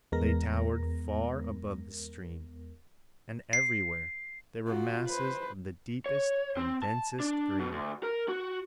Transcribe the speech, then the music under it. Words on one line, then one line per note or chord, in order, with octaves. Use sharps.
They towered far above the stream, and everywhere there were masses of the deepest and densest green.
E2 G#3 B3 A#4 A#6
C7
F4 F#4
B4 C5
C#5
C4
A5
D4
B2
D2
A#4
F#4